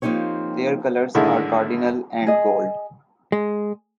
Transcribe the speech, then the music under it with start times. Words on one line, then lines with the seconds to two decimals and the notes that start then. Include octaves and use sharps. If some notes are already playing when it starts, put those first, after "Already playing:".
Their colors are cardinal and gold.
0.02 F3 A#3 C4 D#4 G4 C#5
1.15 A2 D3 D#3 G#3 E4
2.27 G#4 D#5
3.32 G#3